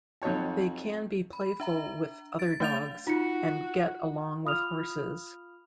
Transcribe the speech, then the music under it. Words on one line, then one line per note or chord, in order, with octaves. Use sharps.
They can be playful with other dogs, and get along with horses.
F2 F#3 D#4 C#5 A5
B5
D4 E5 A#5
A6 D7
A3 D4 F5 G6 A6 F7
D#4 F4 F#4 C#7
F4 F5 B5 D#6 F6 F7